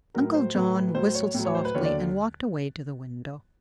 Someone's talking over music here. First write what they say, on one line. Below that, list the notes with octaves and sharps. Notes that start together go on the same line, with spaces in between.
Uncle John whistled softly and walked away to the window.
A2 F#3 A#4
C5
A2 F#3 B4
B4
A2 F#3 C5
C#5
A2 F#3
C#5
C5
B4
D#2 D3 F#3 C#5
D5